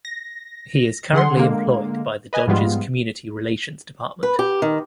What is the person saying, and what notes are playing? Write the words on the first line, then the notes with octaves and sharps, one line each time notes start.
He is currently employed by the Dodgers Community Relations Department.
A#6
D3 G#4 F#5 C6
D3 G#3 A#3
B4 D#5 G#5
G#2 F3 G3 G#3 B3 F4
B4
G4
D#3